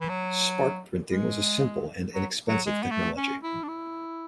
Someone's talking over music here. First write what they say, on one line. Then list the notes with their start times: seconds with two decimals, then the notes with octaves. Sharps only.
Spark printing was a simple and inexpensive technology.
0.01 E3
0.09 F#3
1.12 G#3
2.14 F#3
2.49 F#3
2.66 G#3
2.83 B3
2.91 A3
3.17 C#4
3.43 E4
3.63 D4
3.68 E4